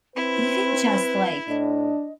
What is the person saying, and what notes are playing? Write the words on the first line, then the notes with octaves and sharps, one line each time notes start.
even just like,
C4 E4 B4
A2 D4 D#5